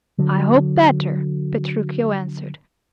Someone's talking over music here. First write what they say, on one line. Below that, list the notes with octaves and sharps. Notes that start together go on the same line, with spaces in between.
"I hope, better," Petruchio answered.
D3 F#3